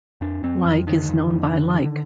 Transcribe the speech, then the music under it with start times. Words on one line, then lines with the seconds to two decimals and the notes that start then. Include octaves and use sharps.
Like is known by like.
0.21 F2 D4
0.43 F2 C4
0.65 F2 F3
0.87 D3 D#3
1.09 F2
1.30 F2
1.52 D3
1.73 D3